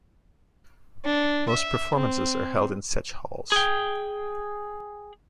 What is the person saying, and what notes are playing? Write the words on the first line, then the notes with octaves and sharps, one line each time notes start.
Most performances are held in such halls.
D4
E5
C4
G#4 G5